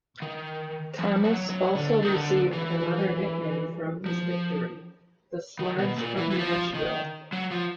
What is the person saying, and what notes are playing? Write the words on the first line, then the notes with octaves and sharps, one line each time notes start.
Thomas also received another nickname from his victory: "The Sledge of Nashville".
D#3
F3
F#3
F#3
D3
D#3
D3
E3
F3
D#3
B2
A#2
E3
E3
F3
D#3
F#3
F3